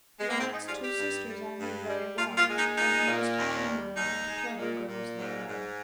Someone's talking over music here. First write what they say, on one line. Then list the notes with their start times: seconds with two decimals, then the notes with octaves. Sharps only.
Wyatt's two sisters I knew very well, and most amiable and clever girls they were.
0.19 G#3
0.29 A#3
0.38 G#2 C4
0.53 D#4
0.68 G3 F4
0.83 G4
0.98 G2
1.29 G3
1.58 G2
1.88 G3
2.17 A#2 F4
2.37 F4
2.48 G#3
2.57 D#4
2.78 A#2 D#4
3.08 A#2
3.37 D#2
3.68 G3
3.97 D#2 D#4
4.28 G#3
4.58 A#2
4.87 A#2
5.17 G#2
5.47 G#2